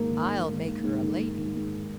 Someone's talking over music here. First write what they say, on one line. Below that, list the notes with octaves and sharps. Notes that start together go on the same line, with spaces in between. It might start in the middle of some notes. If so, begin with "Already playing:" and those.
"I'll make her a lady."
Already playing: G#2 D#3 A#3
D#3
A#3
G#2
D#3
G#2
D#3
G#2
D#3
G#2